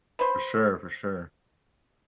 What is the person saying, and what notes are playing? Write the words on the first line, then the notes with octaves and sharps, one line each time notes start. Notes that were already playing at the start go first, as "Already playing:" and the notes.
For sure, for sure.
B4 C5